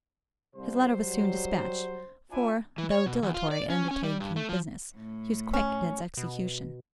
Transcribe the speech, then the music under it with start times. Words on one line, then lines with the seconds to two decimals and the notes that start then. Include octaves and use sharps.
His letter was soon dispatched; for, though dilatory in undertaking business, he was quick in its execution.
0.56 C2 C5
0.90 F#3 G3
2.31 C4 D4 E4 F4 G#5
2.78 E3
2.91 C#5
3.06 B2
3.22 E2
3.34 F4
3.51 D5
3.70 C#4
3.91 C#4
4.03 G3
4.20 G2
4.36 A3
4.49 F3
4.96 A2
5.53 C#4
6.17 B2